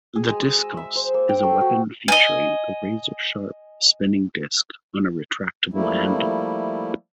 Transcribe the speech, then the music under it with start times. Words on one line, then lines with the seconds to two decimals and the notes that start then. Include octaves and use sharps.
The diskos is a weapon featuring a razor-sharp spinning disk on a retractable handle.
0.16 G#4
0.29 G#3
0.42 D#5
0.59 E6
0.77 E5
0.95 C5
1.14 A#3
1.29 G5
1.43 A3
1.61 F#4
2.08 D#5 G#5
5.74 F3 G3 A3 A#3 E4